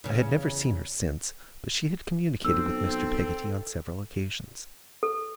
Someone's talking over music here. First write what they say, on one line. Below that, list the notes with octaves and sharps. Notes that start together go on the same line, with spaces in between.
I had never seen her since, but she had communicated with Mr. Peggotty on several occasions.
E2 C#3
B1 C4 A4 E6
A4